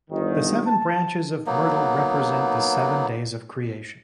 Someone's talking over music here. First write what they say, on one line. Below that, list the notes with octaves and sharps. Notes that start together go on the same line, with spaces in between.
The seven branches of myrtle represent the seven days of creation.
G1 D#3
A5
F#3 A#3 B3 D#4